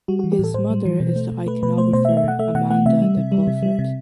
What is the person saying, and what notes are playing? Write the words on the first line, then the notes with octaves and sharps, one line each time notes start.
His mother is the Iconographer Amanda de Pulford.
G3 F#4
F#4
E3
G4
A2 A4
A2 C5
G3
E3
B2
A3
B2
A3 B4
B2 B4
A3 C5
B2 C5
E5
A3
E5
B2 F#5
A3 E5
B2 F#5
A3 F#5
C3 E5
G3
C3
G3
C3
G3
C3